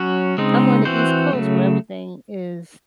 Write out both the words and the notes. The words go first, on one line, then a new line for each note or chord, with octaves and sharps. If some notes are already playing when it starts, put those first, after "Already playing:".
I'm on the East Coast where everything is
Already playing: F#3 C#4 F#4
C#3 G#3 C4 D#4
E3 C4 F#4 C5
C#3 F#3 A3